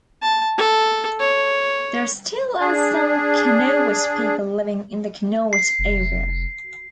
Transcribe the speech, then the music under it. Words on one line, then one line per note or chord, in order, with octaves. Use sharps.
There still are some Kanowit people living in the Kanowit area.
A5
A4
C#5
D4 G#4
C7
F1